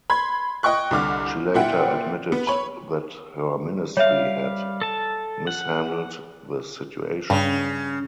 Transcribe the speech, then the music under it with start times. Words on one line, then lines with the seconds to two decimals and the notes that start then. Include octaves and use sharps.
She later admitted that her ministry had mishandled the situation.
0.10 B5 C6 G#6
0.63 D#5 G5 C#6 F#6
0.91 C2 D3 D6 F6
1.54 A#2 E4 F#5 G5
2.32 B3
2.47 C#5 B5
3.97 G3 C#5 E5 F5
4.81 A4 A5
5.47 F#5
7.30 G2 C#3